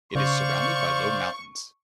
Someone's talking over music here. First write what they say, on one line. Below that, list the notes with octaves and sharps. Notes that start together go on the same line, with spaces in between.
It is surrounded by low mountains.
C#3 C5 D5 F5 C#6